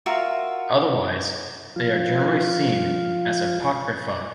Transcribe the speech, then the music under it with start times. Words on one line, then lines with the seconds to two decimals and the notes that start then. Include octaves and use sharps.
Otherwise, they are generally seen as 'apocrypha'.
0.06 F4 F#4 A#4 E5
1.76 F3 F4